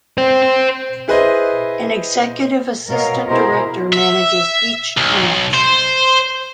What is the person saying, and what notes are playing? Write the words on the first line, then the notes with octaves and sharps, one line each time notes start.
An executive assistant director manages each branch.
C5 G5
E4 G#4 B4 C5 D#5
B2 B3 A#4 C#5 D#5 F5
B2 E4 G#4 A#4 C5 D#5
E5
B1
C5